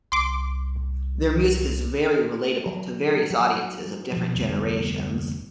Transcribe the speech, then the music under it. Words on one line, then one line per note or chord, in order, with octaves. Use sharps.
Their music is very relatable to various audiences of different generations.
C2 C6 D6
F#3
F#3
B2 F3
F1 D2 G3 B3